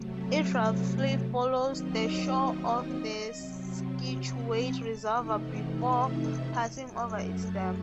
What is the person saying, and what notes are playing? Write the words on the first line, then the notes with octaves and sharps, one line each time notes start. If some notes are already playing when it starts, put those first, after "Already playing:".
It roughly follows the shore of the Scituate Reservoir before passing over its dam.
Already playing: C3 F#3 A3
E5
F#5
D#2 D#3 F#3 C4 D#4 D#5
C3 F#3 C4
B5
B5
A5
C3 E3 A3 D#4 G5
F#5
E5
F#2 F#3 A3 D#5
F#5
A5